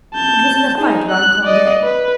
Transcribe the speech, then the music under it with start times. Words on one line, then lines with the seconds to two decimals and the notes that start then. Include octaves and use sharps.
It was in the fight round Conde.
0.15 A5 G6
0.78 D#4 G#4
1.10 F#6
1.44 D5 D#5
1.83 B4